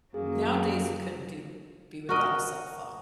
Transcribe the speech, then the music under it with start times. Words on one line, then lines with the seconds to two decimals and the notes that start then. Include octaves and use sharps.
nowadays you couldn't do be without a cell phone.
0.14 F#2 F#3 A#3 G#4
2.09 F#4 A#4 D#5